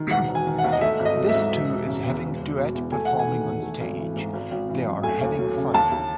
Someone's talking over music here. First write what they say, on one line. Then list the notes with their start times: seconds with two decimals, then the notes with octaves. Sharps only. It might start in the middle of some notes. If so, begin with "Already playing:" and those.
This two is having duet performing on stage, They are having fun.
Already playing: D#3
0.11 E1 F#5
0.29 E1
0.35 G#5
0.47 D#3
0.58 F#5
0.64 D#2
0.72 D#5
0.81 A3 E5
0.99 G#1
1.05 D#5
1.17 F#3
1.29 E5
1.34 G#2
1.51 E1
1.70 E1
1.87 C#3
2.05 E2
2.22 E1
2.40 E1
2.57 B2
2.75 E2
2.92 A3 G#5
3.05 E1 F#5
3.19 G#5
3.28 D#3
3.45 E2
3.63 A3
3.80 G#1
3.98 E3
4.16 G#2
4.33 G#1
4.51 G#1
4.69 E3
4.86 F#2
5.03 A3 G#5
5.21 D#2
5.39 F#3
5.57 C#3
5.74 D#2 A5
5.91 D#2